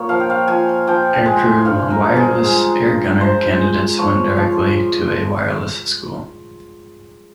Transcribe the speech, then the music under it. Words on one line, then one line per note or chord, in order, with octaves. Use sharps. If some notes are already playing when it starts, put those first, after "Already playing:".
Aircrew "Wireless Air Gunner" candidates went directly to a Wireless School.
Already playing: A#2 D#4 C#5
F3 F5
G5
F5
F3 G#5
F3 G5
G#5
G#3
G#5
G2 F5
A#4
F3
G#4
G#3 G#4
G2
F3 C5
G#3
F3 C#5
F3